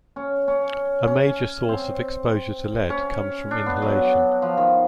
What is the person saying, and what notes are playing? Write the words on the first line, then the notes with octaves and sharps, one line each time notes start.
A major source of exposure to lead comes from inhalation.
C#4
C#4
C#4
C4
C#4
D4
B3
F#3
F3
D#3